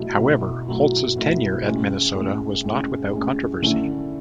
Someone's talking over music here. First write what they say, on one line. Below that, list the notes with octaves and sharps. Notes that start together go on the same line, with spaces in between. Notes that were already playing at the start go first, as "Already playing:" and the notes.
However, Holtz's tenure at Minnesota was not without controversy.
Already playing: B2 F#3 A3 E4
B2 F#3 A3 E4
B2 F#3 A3 E4
B2 F#3 A3 E4
A2 G#3 C#4
A2 G#3 C#4
A2 G#3 C#4
A2 G#3 C#4
D3 A3 C#4 E4